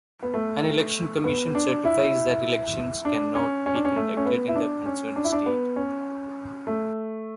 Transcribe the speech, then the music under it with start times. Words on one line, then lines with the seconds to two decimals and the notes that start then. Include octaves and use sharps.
An election commission certifies that elections can not be conducted in the concerned state.
0.23 B3
0.34 A3
1.24 B3
1.55 D4
1.85 E4
3.05 D4
3.35 C#4
3.66 C#4
3.75 D4
3.85 C#4
3.96 A3
4.17 C#4
4.26 B3
4.48 E4
4.56 D4
4.86 C#4
5.16 D4
5.24 E4
5.32 D4
5.46 B3
5.76 C#4
6.67 A3